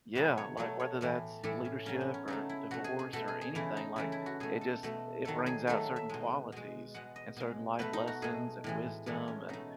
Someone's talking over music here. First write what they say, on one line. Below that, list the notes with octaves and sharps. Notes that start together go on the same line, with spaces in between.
Yeah, like, whether that's leadership or divorce or anything, like, it just it brings out certain qualities and certain life lessons and wisdom and
B2 F#3 A3 B4
C#5
B2 F#3 A3 C#5
C#5
A2 E3 A3
A2 E3 A3 A4
C#4
C#3 F#3 A3 C#4
B3
C#4
C#3 F#3 A3 D#4
E4
B2 A3 F#4
G#4
G#4
B2 A3 A4
G#4
G#4
C#3 E3 A3 E4
D#4
C#3 E3 A3
E4
F#4
B2 A3 G#4
A4
B2 A3
D#3 F#3 A3 A4
G#4
D#3 F#3 A3 A4
E5
B2 G#3
B2 G#3
B2 G#3 F#5
D#5
B2 G#3
B2 A3 B4
D#4
F#4
B2 A3 G#4
A2 E3 G#3
A2 E3 G#3 A4
C#4
B2 A3 D#4